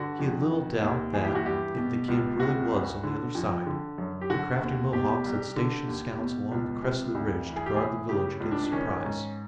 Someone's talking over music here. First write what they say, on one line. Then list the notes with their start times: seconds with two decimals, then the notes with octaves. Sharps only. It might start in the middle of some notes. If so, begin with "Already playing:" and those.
He had little doubt that, if the camp really was on the other side, the crafty Mohawks had stationed scouts along the crest of the ridge to guard the village against surprise.
Already playing: G2 D3 F#4
0.19 F2
0.51 D#3
0.82 D#2
1.13 E3 G#4
1.24 G4
1.35 F#4
1.46 G2 G4
1.77 B2
2.08 C#2
2.39 C3 F#4
2.72 D2
3.03 D3
3.35 F2
3.67 D3
3.98 F#2
4.21 G4
4.30 D3 F#4
4.62 D#2
4.93 B2 G4
5.25 C2
5.56 D3
5.88 D#2
6.19 B2
6.51 C#2
6.82 C3
7.15 D2
7.46 E3
7.56 G#4
7.66 G4
7.76 A2 G#4
8.09 C#3 G4
8.40 C#2
8.51 D4
8.63 D4
8.72 D#3 C#4
9.04 G#2